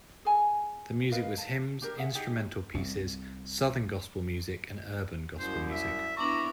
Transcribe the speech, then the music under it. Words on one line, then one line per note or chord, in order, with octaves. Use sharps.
The music was hymns, instrumental pieces, southern gospel music, and urban gospel music.
G#4 G#5 A#5
A#4 B4 D#5 F5
A5
D4 G4 A#4
G#4 E5 F#5
D#4 G4 G#4
C2
C2 F#2 C5
E5
B3 D4 E4 A#5 C#6 D6 F#7